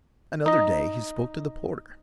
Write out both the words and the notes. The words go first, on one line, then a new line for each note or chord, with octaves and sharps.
Another day he spoke to the porter.
D#4 D#5